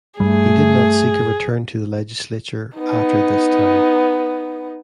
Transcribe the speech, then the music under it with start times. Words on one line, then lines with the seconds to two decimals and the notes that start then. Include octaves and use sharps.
He did not seek a return to the legislature after this time.
0.20 G2 G3 A3 G#4
2.76 B3 D#4